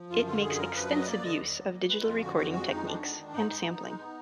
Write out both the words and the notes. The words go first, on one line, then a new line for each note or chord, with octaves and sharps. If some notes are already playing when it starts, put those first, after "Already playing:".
It makes extensive use of digital recording techniques and sampling.
Already playing: F3
F#2 F4
D3 F4
F#2 G#4
F3 A#4
F#2 B4
F#3 D#5
B4
A#3 D5
D3 D#5
D2
F#3
A#3
G#3 B4
F2 F4
D3 F#4
F2 F#4
G#3 F#4
F2 D#4
G#3 D4
B3
D#3
G#2 D#4
G#3
B3
G#3
B3